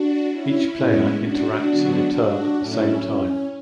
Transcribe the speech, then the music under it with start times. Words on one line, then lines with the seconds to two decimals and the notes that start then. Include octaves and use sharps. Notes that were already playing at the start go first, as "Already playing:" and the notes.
Each player interacts in a turn at the same time.
Already playing: D4 F#4
0.31 C#4 E4
0.76 A2 G#3 B3
1.21 D4 F#4
1.68 D3 F#3 B3
2.13 D4 F#4
2.58 A2 F#3 A3 C#4 E4
3.04 C#4